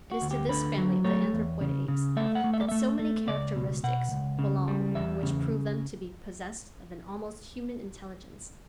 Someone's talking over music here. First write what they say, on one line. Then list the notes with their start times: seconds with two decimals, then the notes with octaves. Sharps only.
It is to this family of the anthropoid apes that so many characteristics belong which prove them to be possessed of an almost human intelligence.
0.11 F#4
0.22 D2
0.31 G4
0.49 D3 B4
0.78 F#3
1.04 A3 C#5
1.33 E2
1.61 C#3
1.88 C#3
2.16 A3 E5
2.35 F#5
2.44 A3
2.54 E5
2.61 D5
2.69 A3 E5
2.99 A3
3.28 C#2 D5
3.56 B2
3.83 B2 F#5
4.12 C#2
4.39 C#3
4.68 G3
4.95 E2 E5
5.23 C#3